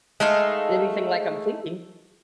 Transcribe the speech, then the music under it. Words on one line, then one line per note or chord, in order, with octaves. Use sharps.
anything like I'm thinking
G#3 A3 D#4 F5